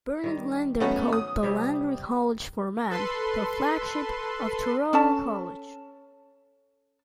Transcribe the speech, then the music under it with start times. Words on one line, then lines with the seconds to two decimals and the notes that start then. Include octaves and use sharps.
Bernard Lander called the Lander College for Men the "flagship" of Touro College.
0.24 D#3 G3
0.80 F#3 A3 B3 C#4 D#4 F#5
1.13 D#6
1.43 C3 G3 E4
2.89 A4 B4 C6
4.93 C#4 A4 A5